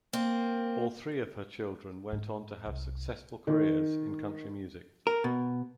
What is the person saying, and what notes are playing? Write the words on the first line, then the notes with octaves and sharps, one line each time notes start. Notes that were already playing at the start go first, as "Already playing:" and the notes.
All three of her children went on to have successful careers in country music.
A#3 C4
G#2
C2
D#3
A#4
B2